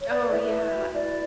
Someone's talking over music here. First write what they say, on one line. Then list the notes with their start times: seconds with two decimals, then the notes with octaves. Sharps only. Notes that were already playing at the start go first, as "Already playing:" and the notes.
Oh, yeah.
0.01 C#5
0.08 B4 D5
0.29 E4 E5
0.51 B4
0.72 F#4
0.92 E4 D5